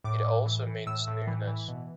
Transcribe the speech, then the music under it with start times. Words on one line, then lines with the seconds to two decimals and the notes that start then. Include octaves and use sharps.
It also means Newness.
0.04 A2 D6
0.25 A2
0.46 E3
0.67 E3
0.87 A2 E6
1.07 A2
1.27 E3
1.47 E3
1.68 B2